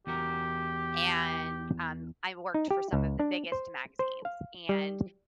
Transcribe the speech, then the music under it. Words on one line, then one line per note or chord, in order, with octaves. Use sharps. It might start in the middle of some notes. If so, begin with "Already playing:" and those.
and, um, I worked for some of the biggest magazines. And
E2 F#4 G4 A#4
D#4
G4
C#2
D4
C5
C5
F5
G3